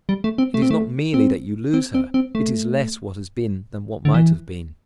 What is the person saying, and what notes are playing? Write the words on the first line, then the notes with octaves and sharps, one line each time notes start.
It is not merely that you lose her, it is less what has been than what might have been.
G3
A3
C4
A3
C4
A3
C4
C4
C4
C4
A3
D3
E3